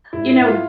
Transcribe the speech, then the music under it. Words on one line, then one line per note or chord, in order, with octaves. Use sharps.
you know,
G#2 E4
E4
G#2
F4